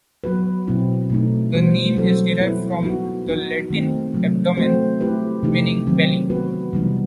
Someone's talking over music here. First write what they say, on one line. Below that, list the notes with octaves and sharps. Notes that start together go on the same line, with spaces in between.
The name is derived from the Latin "abdomen", meaning belly.
F#3 B3 F#4 B4
B2 F#3 C4 E4
B2 A3 D#4
E3 G3 B3 F#4 C5
F#3 C4 F#4 A4 C5
B3 E4 B4
B3 D#4 F#4
B3 D#4 F#4
D#3 A3 C4 D#4
C3 F#3 A3
A3 C4 F#4 C5
A3 E4 G4 B4
C3 E3 A3 D#4 G4
D#3 F#3 C4
B3 F#4 B4
C3 E3 G3 B3 D#4